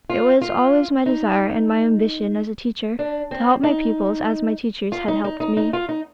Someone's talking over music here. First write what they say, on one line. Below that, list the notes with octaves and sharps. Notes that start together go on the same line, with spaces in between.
It was always my desire and my ambition as a teacher, to help my pupils as my teachers had helped me.
F4
F4
D#4
D4
C4
D#4
F4
D#4
D#4
D#4
D#4
F4
D#4